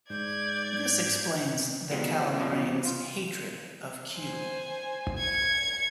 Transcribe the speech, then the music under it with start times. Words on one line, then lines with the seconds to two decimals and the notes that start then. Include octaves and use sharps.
This explains the Calamarain's hatred of Q.
0.10 G#2 D5 G6 G#6
1.91 G#2 B2 D3 D#3 F3 G3
2.21 A2
2.38 E2 G2 B2 F3
2.85 F4
4.15 C5 G#5
5.19 G#6 C#7